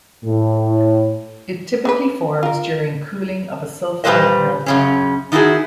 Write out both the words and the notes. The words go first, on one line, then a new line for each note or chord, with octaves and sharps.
It typically forms during cooling of a sulfide melt.
A2
B3 D4 B4
F4 A#4
A#2 G3 G#3 B4 C5 D#5
F#2 C#3 C#4
D#3 D#4 E4 F#4 G#4